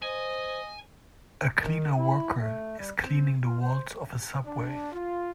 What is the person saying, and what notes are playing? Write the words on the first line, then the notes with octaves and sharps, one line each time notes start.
A cleaner worker is cleaning the walls of a subway.
C5 D#5 G#5
D#3
E4
A3
G3
C4
F4
C5
D4
F4